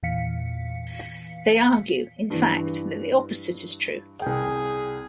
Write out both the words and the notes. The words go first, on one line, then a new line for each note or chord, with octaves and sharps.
They argue, in fact, that the opposite is true.
E2 A#2 E3 F5 B6 C#7
G2 E3
C2 G#4 G5